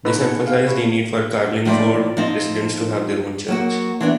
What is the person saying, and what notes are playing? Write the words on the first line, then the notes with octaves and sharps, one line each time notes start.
This emphasised the need for Carlingford residents to have their own church.
A2 D#4 B4
G#3 A4 F#5
F5
E4 C#5
D#2 A2 F3 G4 D5
F3 C4 D#4
F#3 A#3 F#4
E3 B3 D4